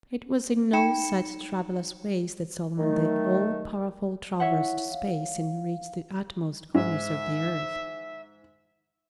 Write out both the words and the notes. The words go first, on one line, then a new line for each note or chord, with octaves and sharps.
It was in no such troublous ways that Solomon the all-powerful traversed space and reached the uttermost corners of the earth.
D#4 G5 B5 C#7 E7
D#3 F#3 A3
E4 C#5 E5 F#5
F5
G#2 E5